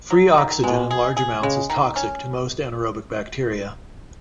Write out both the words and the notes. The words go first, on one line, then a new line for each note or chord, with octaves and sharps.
Free oxygen in large amounts is toxic to most anaerobic bacteria.
F#3
D#3
B2 G#3
G#4
G#4
C#3 G#3
D#3
C#4